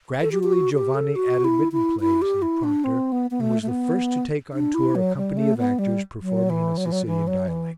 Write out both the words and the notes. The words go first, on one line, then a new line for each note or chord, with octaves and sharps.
Gradually Giovanni added written plays and a prompter, and was the first to take on tour a company of actors performing in a Sicilian dialect.
A4
G4
G4
F#4
G4
A4
F#4
E4
E4
E4
G4
E4
D4
C4
B3
B3
A3
A3
B3
D4
E4
F#3
G3
A3
B3
G3
F#3
E3
F#3
E3
F#3
E3
F#3
E3